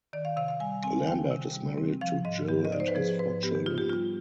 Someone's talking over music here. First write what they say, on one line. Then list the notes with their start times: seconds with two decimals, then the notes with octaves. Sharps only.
Lambert is married to Jill and has four children.
0.13 D#3 D5
0.25 F5
0.37 C3 F5
0.48 F5
0.60 G3 G#5
0.84 C4 G#5
1.07 D#3 G5
1.31 C3
1.54 G3
1.78 C4
2.01 F3 F5
2.25 G#2 D#5
2.48 B3 G4
2.65 D#5
2.72 D#4 D5
2.80 C5
2.88 B4
2.95 F3 G#4
3.19 G#2 B4
3.43 B3 G4
3.55 G4
3.66 D#4 F4
3.78 G4
3.90 G3 F4